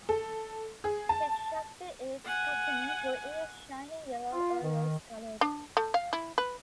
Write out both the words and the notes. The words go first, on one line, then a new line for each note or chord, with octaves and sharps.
His shakti is Kakini, who is shining yellow or rose-coloured.
A4
G#4
A5
F#5 G#5
F4
D#3
D4
A3
F5
E4
B4